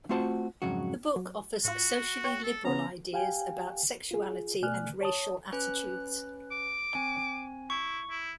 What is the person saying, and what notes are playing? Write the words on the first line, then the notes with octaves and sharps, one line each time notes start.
The book offers socially liberal ideas about sexuality and racial attitudes.
A3 C4 F4 F#4 C5 A5
F2 G#2 C#3 F#3 F#4
F#3
A2 F4 F#4
C#5 G5 C#6
A4
C#3 B3 C#4 A#5
G4 F5 G5 G#5
F4 G#4
B2 A3 D5 G#5 F6 F#6
C#5 A5 D#6
C#4 B4 F#6
D6
C4 G#5
E4 C#6
E4